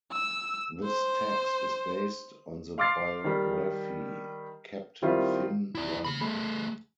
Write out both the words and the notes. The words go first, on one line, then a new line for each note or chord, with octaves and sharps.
This text is based on the Biography: Captain Finn Ronne.
E6
C5
F5 C6 D6 F6 A6 C7
D#3 G3
D#3 G3 C4 E4 F4
E4 D5
C#3 B5
A3 G#4